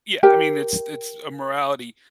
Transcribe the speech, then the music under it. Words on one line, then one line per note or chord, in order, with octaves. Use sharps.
yeah, I mean, it's it's a morality
G4 A#4 G5